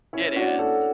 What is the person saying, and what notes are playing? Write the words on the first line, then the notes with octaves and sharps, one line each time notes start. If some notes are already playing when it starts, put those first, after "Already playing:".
It is.
C#4 E4
D4 F#4
F#4 A4